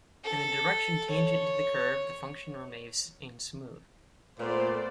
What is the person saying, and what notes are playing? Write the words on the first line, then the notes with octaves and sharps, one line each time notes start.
In the direction tangent to the curve, the function remains smooth.
A4
C#5
A#2 A3 B3 C5 D5